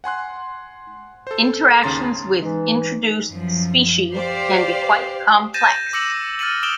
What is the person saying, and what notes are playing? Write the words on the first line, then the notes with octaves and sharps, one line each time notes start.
Interactions with introduced species can be quite complex.
F#5 G#5 C6 F#6
A4 C5
D#2 C#3 C#4 A#5 C6 A6
E3 G#3 D#4
F#2 F3
G4 C5 D5 F5
G6 A6 A#6 D#7 E7
D6 E6 A#6 C#7 F#7
F6 A6 A#6 C#7 D#7 F#7
D#6 E6 D7 E7 F#7 G7